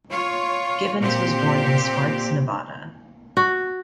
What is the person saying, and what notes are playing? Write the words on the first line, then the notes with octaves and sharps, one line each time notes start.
Gibbons was born in Sparks, Nevada.
F4 C#5
A#2 C4 G4
F#4